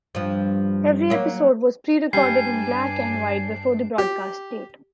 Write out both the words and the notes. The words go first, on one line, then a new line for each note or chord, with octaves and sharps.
Every episode was pre-recorded in black and white before the broadcast date.
G2 F3
F#3 A#3
G2 G3 D4 G#5 C7
G4